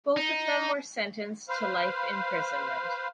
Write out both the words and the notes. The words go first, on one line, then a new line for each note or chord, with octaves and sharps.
Both of them were sentenced to life imprisonment.
D#4
B4 C5 F5